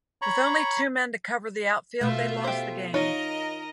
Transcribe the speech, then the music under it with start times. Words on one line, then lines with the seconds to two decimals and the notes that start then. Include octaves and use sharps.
With only two men to cover the outfield, they lost the game.
0.22 C#5 A#5 B5 C#6
2.01 B2 A3 F4 E5
2.44 G4 C5
2.94 D#4 F4 A#4 C#5 D#5